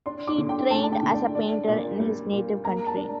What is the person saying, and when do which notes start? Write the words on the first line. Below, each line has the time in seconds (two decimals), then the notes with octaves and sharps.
He trained as a painter in his native country.
0.06 D4 C6
0.27 D6
0.38 D3
0.49 G5
0.71 A3 A5
0.83 A5
0.93 G5
1.03 D3
1.14 D5
1.35 D4 D5
1.68 A#2
2.00 G3
2.32 A#2
2.65 A#3 A#5
2.87 A5
2.97 D4